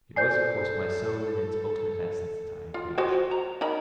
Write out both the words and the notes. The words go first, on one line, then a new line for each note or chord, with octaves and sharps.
It was of course my soul in its ultimate essence that I had reached.
A4 C5 D5 G#5 G6 C7
F4
F#4 G4 C5
A#5
D#4 A#4 B5